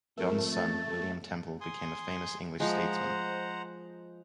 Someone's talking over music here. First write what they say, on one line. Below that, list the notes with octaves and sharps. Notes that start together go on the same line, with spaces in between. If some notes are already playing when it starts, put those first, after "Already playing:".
John's son William Temple became a famous English statesman.
F2 A3 A#4
A6
G#5 C6 D#6
F3 G#3 C5 F#5 A#5